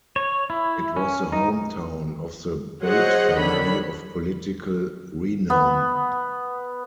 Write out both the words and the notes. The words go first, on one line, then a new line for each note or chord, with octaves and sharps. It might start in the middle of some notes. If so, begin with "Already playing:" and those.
It was the home town of the Bate family of political renown.
C#5
E4
C#4
D#4
F#3 G#4 C5 C#5 D#5 F#5
D3 D#3 A4 C#5 B5
B3